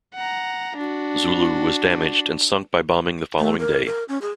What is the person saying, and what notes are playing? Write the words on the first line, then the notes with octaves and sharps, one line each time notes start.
"Zulu" was damaged and sunk by bombing the following day.
F#5 A#5
D4 F#4
A3
A#4
A#4
C#4
G#4